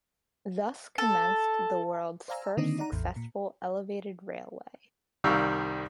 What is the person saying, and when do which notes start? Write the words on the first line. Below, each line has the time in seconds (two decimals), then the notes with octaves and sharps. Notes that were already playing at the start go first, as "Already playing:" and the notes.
Thus commenced the world's first successful elevated railway.
0.98 A4
2.28 C5 D5 F5 G#5 A#5 E6
2.57 D3 D#3 A#3 C4 D4 D#4
2.78 D#4 D5 F#5 A#5
2.92 A1 E2
3.16 A#2
5.24 C2 D#3 G3 F5 C#6 E6